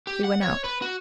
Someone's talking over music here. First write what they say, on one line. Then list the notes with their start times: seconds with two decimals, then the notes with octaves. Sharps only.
She went out.
0.07 G4
0.24 F#5
0.43 C#5
0.64 B4
0.82 F#4